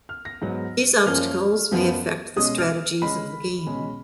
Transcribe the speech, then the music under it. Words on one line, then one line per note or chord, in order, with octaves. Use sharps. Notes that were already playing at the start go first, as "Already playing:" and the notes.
These obstacles may affect the strategies of the game.
F6
A#6
G#2 F#3 B3
F#2 F3 A#3 C#4 F6
F#2 F3 B3
B2 G#3 C#4 D#6
F6
C#3 G#3 C#4 B5
B2 G#3 C#4